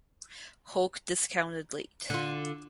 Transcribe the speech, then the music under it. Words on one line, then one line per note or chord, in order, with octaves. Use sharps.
Hulk discounted late.
D3 F4